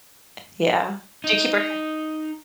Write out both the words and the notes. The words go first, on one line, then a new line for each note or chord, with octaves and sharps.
Yeah. Do you keep her hair
D#4